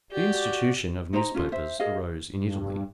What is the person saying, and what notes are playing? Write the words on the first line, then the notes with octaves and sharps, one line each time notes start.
The institution of newspapers arose in Italy.
F#4 G4 D5
D#4 C5 D#5 A#5
C#4 F4 A4
C5 E5
G#4 A#4 D#5 F5
G2